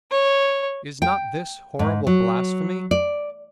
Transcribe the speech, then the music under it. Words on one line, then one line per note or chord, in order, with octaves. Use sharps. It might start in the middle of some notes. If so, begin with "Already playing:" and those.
Is not this horrible blasphemy?
C#5
G5
G#2
F#3
D5